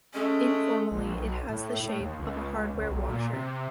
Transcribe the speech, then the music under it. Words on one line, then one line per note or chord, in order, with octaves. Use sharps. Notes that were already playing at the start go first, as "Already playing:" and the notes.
Informally, it has the shape of a hardware washer.
C#3 G#3 A3 C#4
A#1
B1
A2
A2
D#2
C#2
C#2
C#2
B1
A#2
C3
C3